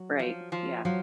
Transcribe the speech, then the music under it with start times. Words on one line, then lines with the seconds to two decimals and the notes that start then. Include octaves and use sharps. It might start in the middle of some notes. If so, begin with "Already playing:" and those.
Right. Yeah.
Already playing: F#3
0.19 F3
0.52 F3
0.85 F3 F#3